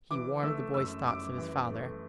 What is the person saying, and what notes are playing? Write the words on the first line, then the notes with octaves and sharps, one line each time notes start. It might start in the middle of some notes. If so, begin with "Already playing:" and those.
He warmed the boy's thoughts of his father.
E3 D6
A3 E6
F#2 E6
F#2 D6
E3
A3